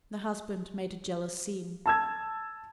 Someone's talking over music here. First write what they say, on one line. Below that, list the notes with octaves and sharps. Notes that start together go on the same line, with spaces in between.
The husband made a jealous scene.
A5 E6 G#6